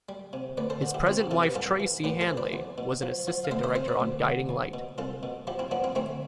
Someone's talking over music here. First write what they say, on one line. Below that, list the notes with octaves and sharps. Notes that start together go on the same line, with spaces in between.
His present wife, Tracey Hanley, was an assistant director on "Guiding Light".
G3
C3
D2 B4 D5
A4 C5
D3
E4 G4
F2 C4 E4
E4 G4
C3 F4 A4
G4 B4
G2 F4 A4
E3
A2 G4 B4
A4 C5
E3
B4 D5
E2
B2
F3
F3
F5
D2 C5 E5
C5 E5
C3 C5 E5
B4 D5
D2
D3
E2
B2
C2 F4 A4
B2
F3 E4 G4
C4 E4
F3 B3 D4
C4 E4
D2 A3 C4